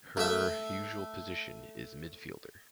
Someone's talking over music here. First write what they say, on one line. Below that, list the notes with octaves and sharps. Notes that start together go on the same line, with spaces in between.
Her usual position is midfielder.
A3 E5